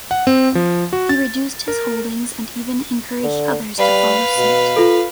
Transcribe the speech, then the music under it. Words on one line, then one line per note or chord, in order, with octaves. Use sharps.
He reduced his holdings and even encouraged others to follow suit.
F#5
C4
F3
F#4
A6
A#4
D3
G3 B4 F5
B2
F4 A4